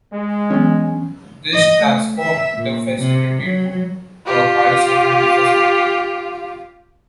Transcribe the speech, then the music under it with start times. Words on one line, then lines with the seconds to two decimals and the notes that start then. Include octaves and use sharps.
This transformed the facility to a high-security facility.
0.13 G#3
0.50 E3 F#3 B3 C#4
1.53 D#5
1.83 A3
2.18 E5
2.55 A#2
2.98 C3
3.43 F#3
4.26 F4 G4